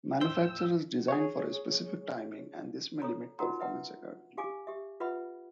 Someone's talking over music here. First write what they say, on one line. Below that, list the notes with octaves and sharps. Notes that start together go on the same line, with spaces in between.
Manufacturers design for a specific timing and this may limit performance accordingly.
E2 A2 C5 G5 E6
G#4 C#5
A4 C#5 A#5
D#4 F4 F#4 A#4 F#5 A#5
B4 E5 F#5
G4 F5 G#5 D6
G4 E5
F4 B4 E5 F#5 B5